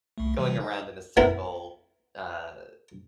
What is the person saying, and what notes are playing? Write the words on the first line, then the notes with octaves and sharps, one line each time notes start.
going around in a circle, uh,
C2 A3
C3 E3 G3
D#4 D#5
B3 C4 E4 A#4